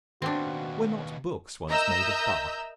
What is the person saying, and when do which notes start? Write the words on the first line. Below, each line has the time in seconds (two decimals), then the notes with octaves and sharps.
Were not books once made of Bark?
0.22 D#2 B2 C4 D4 F#4
1.70 A#4 D#5 E5 A#5 E6 G6